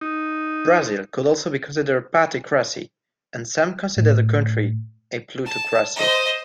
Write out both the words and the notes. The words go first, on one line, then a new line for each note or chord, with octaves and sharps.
Brazil could also be considered a particracy, and some consider the country a plutocracy.
D#4
A2
A5
C5 D#5